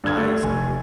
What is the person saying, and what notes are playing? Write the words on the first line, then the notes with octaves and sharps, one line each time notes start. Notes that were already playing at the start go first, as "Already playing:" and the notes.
I see.
G2 D3 G#6
A3
F1 G#5